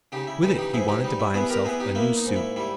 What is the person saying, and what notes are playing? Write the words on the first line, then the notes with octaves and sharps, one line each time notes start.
With it he wanted to buy himself a new suit.
C#3 D#4 G4
E4
E3 D#4 G4
D#4 G4
G#2 E4 G#4
D#4 G4
G3 D#4
E4
B3 E4 G#4
G4 A#4
B3 E4 G#4
D#4 G4
A#3 E4
D#4
G#2
E4
G3 E4